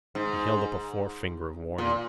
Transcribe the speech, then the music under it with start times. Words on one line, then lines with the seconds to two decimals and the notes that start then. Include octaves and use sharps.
He held up a forefinger of warning.
0.15 G#2
1.78 A#2